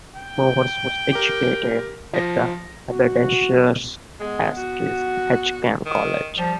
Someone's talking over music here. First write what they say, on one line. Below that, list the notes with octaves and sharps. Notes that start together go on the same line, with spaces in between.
Bowes was educated at Haberdashers' Aske's Hatcham College.
G5
G4 A#4
F3 A#6
F#4
G#3 B3
F#4
D#3
F3 G3